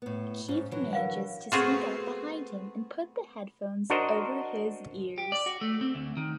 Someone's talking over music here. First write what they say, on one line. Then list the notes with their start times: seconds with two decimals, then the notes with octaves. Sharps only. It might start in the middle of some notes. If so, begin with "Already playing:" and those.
Keith manages to sneak up behind him and put the headphones over his ears.
0.02 A2 B3
0.48 G#2 C#4
0.72 D3 E3 F#3
0.93 A#4 F5 F#5
1.52 A3 B3 C4 F4 F#4 G#4
3.90 D4 F#4 A#4 C5 D#5
5.18 G4
5.32 D5
5.46 F#4
5.61 A3
5.81 C4
5.95 D2
6.17 D#3